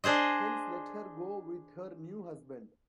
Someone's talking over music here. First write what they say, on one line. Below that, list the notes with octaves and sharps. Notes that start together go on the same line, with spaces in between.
Hence let her go with her new husband.
D4 G#4 C5 D#5